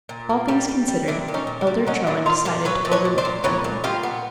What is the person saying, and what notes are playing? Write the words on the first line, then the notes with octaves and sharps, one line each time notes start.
All things considered, Elder Trewin decided to overlook the dimple.
A#2
A#3
G3
G3
G3
A#2 D4 E4
A#2
C#4 D#4
A#2
D4
G3
F#3 C#4 D#4
A#2 D4 E4
A#2 D#4 F4
A#2 F4 G4
F#3 B4 C#5
A#2
B4 C#5
A#2
C5 D5
A#2
A#2 B4 C#5
A#2
A#2 F4 G4
B3